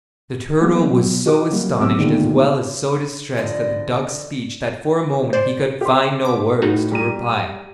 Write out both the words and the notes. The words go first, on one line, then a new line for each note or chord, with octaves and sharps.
The turtle was so astonished as well as so distressed at the duck's speech that for a moment he could find no words to reply.
F3 F#3 G#3 A#3 B3
B2 F#3
F#4 D#5 D6
F#3 G3 A#3
B1 C3 F#3 B3 D6 E6
D2 A#2 D#3 G#3 B3
F2 D3 D5 D#5
C5 D5
G4 C6
D6
A2 D#4 F#4
G3 A#5 D#7